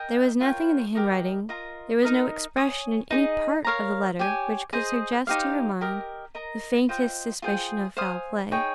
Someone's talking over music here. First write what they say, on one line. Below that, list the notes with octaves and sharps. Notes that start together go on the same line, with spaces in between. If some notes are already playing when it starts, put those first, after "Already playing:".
There was nothing in the handwriting, there was no expression in any part of the letter which could suggest to her mind the faintest suspicion of foul play.
Already playing: A#4 D#5 G5
F4 A#4 C#5 G5
G4 A#4 D#5
F4 A#4 D#5 A#5
D#4 A#4 D#5
C#5 G#5 D#6
D#4 G#4 D#5
A#4 C#5 F5 A#5
G4 C#5 G#5
G#4 C5 D#5
D#4 G4 C5 F5
G4 A#4 D#5
A#4 D#5 A#5
F4 C5 D#5 G5
F4 G#4 C5 G5
C5 F5 G#5 D#6
D#4 G#4 C#5 G5